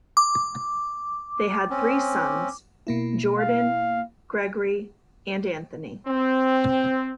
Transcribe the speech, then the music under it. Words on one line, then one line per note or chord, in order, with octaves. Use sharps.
They had three sons, Jordan, Gregory and Anthony.
D6
C4 C#4
B2 A#3 E4
F5
C4